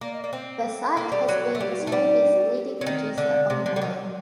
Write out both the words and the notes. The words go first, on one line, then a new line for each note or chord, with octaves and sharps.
The site has been Australia's leading producer of oil.
A#3 D5
D#5
A#3 D5
C4 C5
A4
A#3
G3
F#3
A3
G3 G4
F#4
D#4
A3
G3
D4
F#4
A4
G4
A4
C4
F#3
D#3
D3
C3 A3
F#3
D3
G3
D3
D#3 F#3